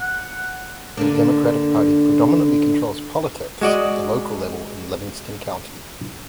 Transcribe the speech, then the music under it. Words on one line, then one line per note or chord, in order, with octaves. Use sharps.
The Democratic Party predominantly controls politics at the local level in Livingston County.
F#5
D3 A#3 D4
G#3 F#4 D5 D#5